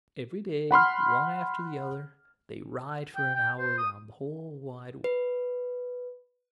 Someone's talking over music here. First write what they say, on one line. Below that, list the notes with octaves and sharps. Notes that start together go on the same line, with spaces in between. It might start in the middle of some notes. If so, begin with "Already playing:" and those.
Every day, one after the other, they ride for an hour round the whole wide world.
F#5 B5 C6 F6
G5
G5
C5
D#6
B4